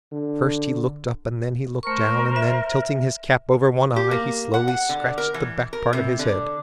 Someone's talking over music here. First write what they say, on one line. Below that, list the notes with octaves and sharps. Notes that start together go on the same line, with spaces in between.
First he looked up and then he looked down, and then, tilting his cap over one eye, he slowly scratched the back part of his head.
D3
A3 A#4 C5 C#6
E5
G4
A#3
F#5
F#5
D3
A#4
E3
A#4
C3
D3